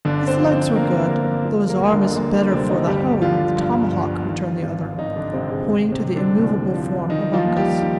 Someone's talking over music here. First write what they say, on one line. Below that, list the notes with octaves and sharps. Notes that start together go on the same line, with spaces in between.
"His legs were good, though his arm is better for the hoe than the tomahawk," returned the other, pointing to the immovable form of Uncas.
G1 D3 D4
C4 C5
F3
C4 C5
G1 A#3 A#4
G1 A#3 A#4
F3
A#3 A#4
D2
D3 D4
D2 A#3
D3 D4
D2 C3 C4
D#3 D#4
G1 G3 G4
D3 F3 F4
G2
G1
D#3
G#1
G#1 D#3 D#4
D3 D4
G#1 C3 C4
G#3
C3
C3 C4
C3
D3 D4
C2
F3
D#3 D#4
F3 F4
D#2
G3 G4
D#3